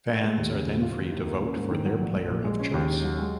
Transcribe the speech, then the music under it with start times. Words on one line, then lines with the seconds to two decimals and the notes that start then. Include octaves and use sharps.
Fans are then free to vote for their player of choice.
0.08 A#3
0.23 G#3
0.38 D#2
0.53 C#3
0.68 F3
0.82 F4
0.97 D#2
1.11 D#3
1.27 A#3
1.41 C#4
1.56 G#2
1.70 D#3
1.85 F#3
2.00 A#1
2.16 A#1
2.30 A#2
2.44 G#3
2.59 C#4
2.74 D#2
2.89 D#3
3.04 F#3
3.19 G#3